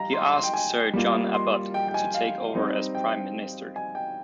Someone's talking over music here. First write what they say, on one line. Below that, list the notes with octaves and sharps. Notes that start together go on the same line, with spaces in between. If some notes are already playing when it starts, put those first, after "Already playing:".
He asked Sir John Abbott to take over as prime minister.
Already playing: G3 F5 G5 A#5
C6
C6
G5
G#5
G3 A#3 F4
C6
G5
G5
G#5
F5
G3 C4 D#4
G5
G#5
G5